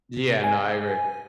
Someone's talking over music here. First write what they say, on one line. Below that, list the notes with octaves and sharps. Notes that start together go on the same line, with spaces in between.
Yeah. No, I agree.
C3
G#5